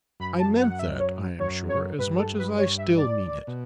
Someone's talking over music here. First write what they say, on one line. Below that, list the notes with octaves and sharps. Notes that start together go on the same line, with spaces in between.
I meant that, I am sure, as much as I still mean it.
F#2 B5
A5
F#5
F#5
E5
C#5
F#2 C#5
C#5
G2 B4
A4
B4
C#5
E5
D5
B2